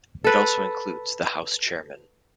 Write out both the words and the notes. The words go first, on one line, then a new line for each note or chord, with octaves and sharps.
It also includes the House Chairman.
A4 B4